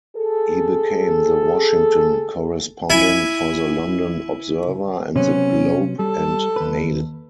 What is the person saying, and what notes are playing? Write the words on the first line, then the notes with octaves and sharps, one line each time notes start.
He became the Washington correspondent for the "London Observer" and the "Globe and Mail".
G#4 A4
E4 G#5
C3 F#3 B3 C#4
G3 A4
D#2 B4